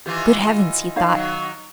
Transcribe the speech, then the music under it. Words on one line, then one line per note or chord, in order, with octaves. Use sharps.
"Good heavens!" he thought.
D#3 E3 F4 G4
D#4 C#5 F5
D#3 F#3